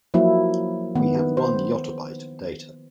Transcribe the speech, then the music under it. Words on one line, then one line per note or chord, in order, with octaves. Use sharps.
We have one yottabyte of data.
F3 F#3 A#3 E4
D#3 B3
C5